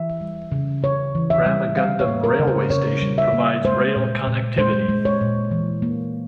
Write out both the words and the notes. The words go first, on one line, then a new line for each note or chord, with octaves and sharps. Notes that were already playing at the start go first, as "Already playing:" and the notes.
Ramagundam railway station provides rail connectivity.
Already playing: E3 E5
G3
C#3
C#3 C#5
E3
E5
G3
G3 F5
C#5
A#3
A#4
C#3
C5
C#3 C#5
G3
E5
A#3
G#3 C5
A#2
A#2
G#3 C5
G#3
C#5
A#2
E3
A#3